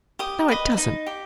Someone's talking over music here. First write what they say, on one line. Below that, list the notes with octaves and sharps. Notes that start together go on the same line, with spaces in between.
'No, it doesn't.
G4 D#6
B4 D#5
D#4
G4